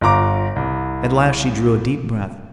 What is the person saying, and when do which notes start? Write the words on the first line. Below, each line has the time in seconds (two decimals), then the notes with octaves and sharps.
At last she drew a deep breath.
0.01 G1 F4 A#5 D6
0.56 C2